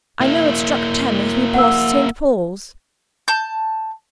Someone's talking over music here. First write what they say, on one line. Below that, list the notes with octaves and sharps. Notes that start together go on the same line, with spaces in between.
"I know it struck ten as we passed St. Paul's."
A#3 E4
F#5 E6
A5 G6